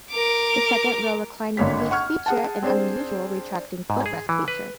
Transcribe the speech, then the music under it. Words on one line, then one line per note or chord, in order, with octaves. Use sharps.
The second row reclining seats feature an unusual retracting footrest feature.
A#4 D6
G#1 D3 A#3 C#5 B6
F#5 C#6 F6 G#6
G#4 F#5 A5
C4 D4 G#4 C5
G#2
G#4
E3
B4